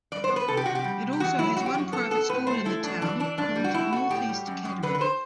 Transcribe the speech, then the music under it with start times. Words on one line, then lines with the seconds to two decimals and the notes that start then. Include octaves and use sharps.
It also has one private school in the town, called Northeast Academy.
0.12 G2 D5
0.24 C5
0.29 B3
0.36 B4
0.48 C3 A4
0.57 G4
0.66 C3 F#4
0.75 G4
0.84 G3
1.02 C3
1.13 G4
1.20 E2 F#4
1.38 F#3 E4
1.56 F#2 F#4
1.66 G4
1.74 F#2 F#4
1.92 B3 A4
2.11 B3 A4
2.29 A2 B4
2.47 A3 C5
2.65 A3 E4
2.83 F#2 D4
3.01 E3 D4
3.20 E3 D4
3.38 G2 D4
3.56 G3
3.64 F#4
3.74 B2 E4
3.92 A3 F#4
4.10 A2 G4
4.29 G3
4.47 F#2
4.65 F#2
4.83 D3 B4
4.95 B4
5.01 C5